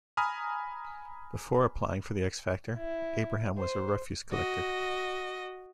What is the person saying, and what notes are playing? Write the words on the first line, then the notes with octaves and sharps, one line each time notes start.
Before applying for "The X Factor", Abraham was a refuse collector.
G#5 A#5 B5 D#6 F6
E4
C5
F#4 D#5